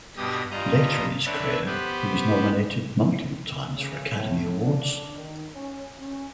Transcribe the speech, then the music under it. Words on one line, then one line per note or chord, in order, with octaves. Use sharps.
Later in his career he was nominated multiple times for Academy Awards.
G2 B2 G4 D#6
G2 G3 F4 D#5 A#5
C4 D4 B4 C#5 E5
B3 G4 B4 C5
C#3
A2
D4
D#3
C#4
C#4